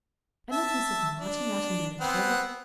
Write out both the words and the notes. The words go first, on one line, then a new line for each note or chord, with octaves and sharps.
And there's Mrs. Martin out in Manitoba.
E5 A5
D4
B3 C4 F#5